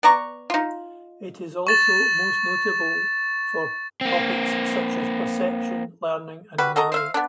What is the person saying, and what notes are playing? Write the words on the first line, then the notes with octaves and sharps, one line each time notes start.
It is also most notable for topics such as, Perception, Learning, and Memory.
B3 D5 A#5 C#6
D#4 F4
C#6 A6 E7
A#3 C4
G3 F#4 B4
F#4 A4 D#5 A#5
C5 E5 F5
B3 D4